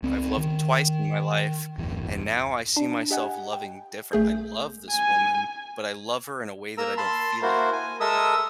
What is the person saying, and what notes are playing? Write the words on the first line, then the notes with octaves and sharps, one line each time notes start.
I've loved twice in my life, and now I see myself loving different I love this woman, but I love her in a way that I don't feel it.
C#2 C4
D#3
D1 G1 E2
D4
G4 D#5 F#5 G#5
G5
A#1 A3 G#4 G6
G#5
A#3 A#4 A#5 E6
A5 B5 C6
A#3 E4 F#4 A#4 C5
G#5
G#3 A4 A#4 E5 D#6 E6